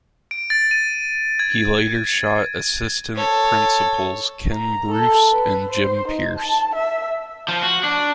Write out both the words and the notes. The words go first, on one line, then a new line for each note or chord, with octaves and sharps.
He later shot assistant principals Ken Bruce and Jim Pierce.
D7
A6
D#7
G#6
A4 C#5
A#5
A4
B4
C5
D#4
A5
E5
F3
F#4
D4